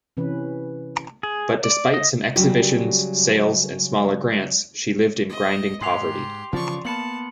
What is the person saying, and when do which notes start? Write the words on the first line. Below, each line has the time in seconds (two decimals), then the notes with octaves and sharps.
But despite some exhibitions, sales, and smaller grants, she lived in grinding poverty.
0.17 C3 E3 C#4 B4
1.23 G#4
1.64 D5
1.94 D#5
2.36 C#3 F#3 G3 G4
5.30 D#5
5.81 G#2 G4 C6 C7 F7
6.53 C#3 E3 F3 D5 C#6
6.85 A#3 B3 A5 B5 C#7 F#7